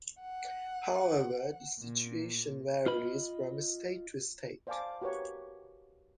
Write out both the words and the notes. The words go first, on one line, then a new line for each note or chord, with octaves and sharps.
However, this situation varies from state-to-state.
F#5
A#2
F4 D#5 B5
C5 D5 F5 G#5 A5 D6
F#4 G4 A#4 B4 C#5